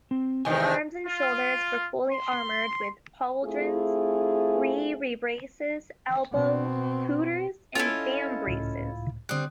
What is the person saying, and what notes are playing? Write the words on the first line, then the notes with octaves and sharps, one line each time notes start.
The arms and shoulders were fully armoured with pauldrons, rerebraces, elbow couters and vambraces.
C4
E2 C3 D#3 D#5 G#5
F4
C6
A3 C4 E4 F4 G#4
B2 C4
C#4 E4 F4 A4 D#5
C#2 A2
D3 G3 C4 D#6 F#6